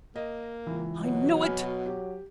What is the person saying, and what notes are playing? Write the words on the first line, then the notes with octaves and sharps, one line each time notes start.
I knew it.
A#3 D#5
C#2 E3
B2 F#3
G#5 B5 F6
G4